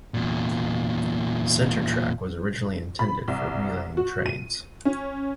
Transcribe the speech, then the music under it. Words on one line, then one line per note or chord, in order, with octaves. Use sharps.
The center track was originally intended for relaying trains.
E2 A#2
B5
C2
F#4
D#7
C#4